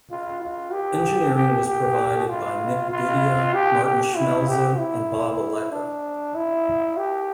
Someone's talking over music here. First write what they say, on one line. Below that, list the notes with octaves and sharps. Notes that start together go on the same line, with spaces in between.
Engineering was provided by Nick Didia, Martin Schmelze, and Bob Alecca.
F4
F4
G4
G4
G4
F4
F4
G4
G4
E4
G4
E4
D4
E4
G4